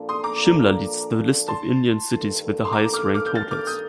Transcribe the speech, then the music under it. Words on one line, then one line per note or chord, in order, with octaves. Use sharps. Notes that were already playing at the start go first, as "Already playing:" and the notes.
Shimla leads the list of Indian cities with the highest ranked hotels.
Already playing: A#2 F3 A#3 D4 A4
C6 D#6
A#5 D6
A5 C6
G2 D#3 A#3 D4 A4
C6
A#5 D6
D6 F6
D6 F6
G6
F6 A6
D6 F6
D#6 G6